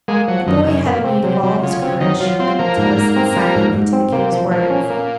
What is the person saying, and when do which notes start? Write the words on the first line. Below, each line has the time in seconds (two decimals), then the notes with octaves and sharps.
The boy had need of all his courage to listen silently to the king's words.
0.08 G#3 A#3
0.28 F3 F#3
0.47 F#2 D#3
0.67 F#2 C#3
0.85 A#2 A#3
1.04 C3 C4
1.24 C3 F#3
1.43 C3 F#3
1.63 C#3 F4
1.82 C#3 C4
2.00 D#3 F#3
2.20 F3 F#3
2.39 C4 F4
2.59 F3 A#3
2.77 G#2
2.97 G#2
3.16 C4
3.36 F3
3.55 G#2
3.75 G#2
3.93 C4
4.12 C3 A#3
4.32 F3
4.51 A#2 F3
4.70 C#4
4.90 A#3